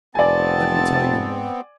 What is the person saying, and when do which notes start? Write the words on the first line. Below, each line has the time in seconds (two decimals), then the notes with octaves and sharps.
Let me tell you more.
0.15 F1 B3 C4 D5 G#5 A5